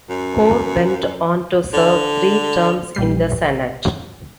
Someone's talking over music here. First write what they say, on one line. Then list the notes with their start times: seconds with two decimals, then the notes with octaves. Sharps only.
Gore went on to serve three terms in the Senate.
0.09 F#2
1.73 D3
2.95 A#1 G3 C7